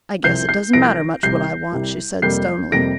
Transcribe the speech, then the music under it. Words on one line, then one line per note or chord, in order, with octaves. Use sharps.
"I guess it doesn't matter much what I want," she said stonily.
C2 C3 F3 C4 G6 C7
G6 C7
C2 C3 F3 C4 A#6 D7
C2 C3 G3 G6 C7
C2 C3 G3
F2 C3 G3 A#3 G6 C7
F2 C3 G3 A#3 A#6 D7